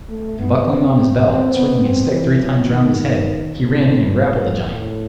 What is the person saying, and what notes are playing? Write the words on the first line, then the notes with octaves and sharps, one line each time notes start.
And buckling on his belt and swinging his stick three times round his head, he ran in and grappled the giant.
A3
B3
C4
C4
B3
C4
E3
F#3
D#3
A2
A2
A2